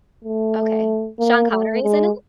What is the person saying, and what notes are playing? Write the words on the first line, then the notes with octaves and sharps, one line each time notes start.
Okay, Sean Connery’s in it?
A3
A#3
A3
G#3